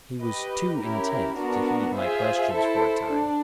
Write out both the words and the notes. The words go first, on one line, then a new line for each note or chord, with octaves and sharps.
He was too intent to heed my questions for a time.
G4 B4 D#5
C#4 E4 G4 A#4
B3 D4 F#4 A#4
F4 G#4 C5 E5
E4 A4 C5
D4